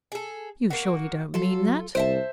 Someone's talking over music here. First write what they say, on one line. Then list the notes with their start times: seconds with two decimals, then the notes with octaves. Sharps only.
"You surely don't mean that?"
0.12 G#4 A4
0.70 A#3 F#4
1.34 F#3 F4 A4
1.95 C2 C5 E5 A5